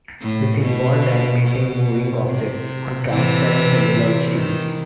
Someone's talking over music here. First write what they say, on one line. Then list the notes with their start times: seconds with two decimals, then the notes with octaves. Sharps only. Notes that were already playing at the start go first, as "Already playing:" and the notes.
This involved animating moving objects on transparent celluloid sheets.
0.21 A2
0.62 B2
1.45 B2
2.27 C3
3.09 C3 E3
4.33 D#3